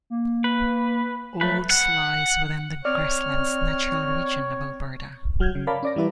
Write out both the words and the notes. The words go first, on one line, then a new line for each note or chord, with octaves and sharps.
Olds lies within the Grasslands Natural Region of Alberta.
A#3
B4
F#3 A3 B4
F#5
C4 C#5 D5 F6
G1 F#3 F6 G6 G#6
C#3
A#4 C#5 D5 F5 A5 B5
C#4 D5 A#6
E3 G3 E4 B4 D5